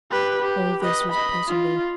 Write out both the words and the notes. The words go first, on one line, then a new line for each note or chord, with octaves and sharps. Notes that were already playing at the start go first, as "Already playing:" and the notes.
All this was possible.
G4 B4
G4
B4 D#5
D#5 B5
F4